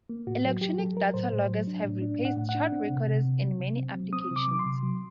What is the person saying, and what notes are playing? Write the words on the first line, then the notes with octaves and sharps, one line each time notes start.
Electronic data loggers have replaced chart recorders in many applications.
A#3
A2 F#4
F#3
F#3 G4
F#3 A4
F#3 A#4
A2 C5
A2
F#3
D4
A2
D4
A2
F#5
A2
F#5
D4
C4
C3
C3
C3
F#3
C3
C4
F#3
C4 D#6
C3
D6
F#3 D6
C6
C3
F#3